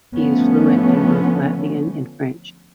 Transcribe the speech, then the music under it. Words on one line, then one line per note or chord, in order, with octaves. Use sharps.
He is fluent in both Latvian and French.
D3 F3 A3 B3 C#4